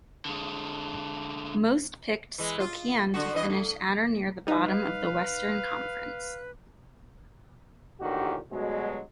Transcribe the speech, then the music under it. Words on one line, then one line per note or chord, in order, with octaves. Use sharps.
Most picked Spokane to finish at or near the bottom of the Western Conference.
D3 G#3
E3 G#3
F4
D3 F#4
G2 E3 D#5
A3
G3 D#4 B4 F5
A1 A#2 D3 D#3 F#4 G4
D2 G2 B2 F#3 G#3